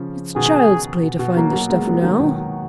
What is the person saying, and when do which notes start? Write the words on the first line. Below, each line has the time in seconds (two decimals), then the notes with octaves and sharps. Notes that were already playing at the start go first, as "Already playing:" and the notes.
It's child's play to find the stuff now.
Already playing: C#3 F3
0.35 B2 D#3 G#4
1.03 B2
1.19 B2
1.36 F#3 A#3
1.49 B3
1.53 F#3 A#3
1.70 G#3 B3
1.87 F#3 A#3
2.03 D#3 F#3
2.20 B2 D#3
2.37 F#4